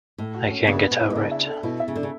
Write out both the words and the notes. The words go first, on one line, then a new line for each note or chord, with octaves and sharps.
I can’t get over it.
A2 A3
F#4
C#4
C#3 B3
B4
B2
E4
B2
C#3 D4
E5
A4
B2 E4
E5
C#3
D3 A4
C#3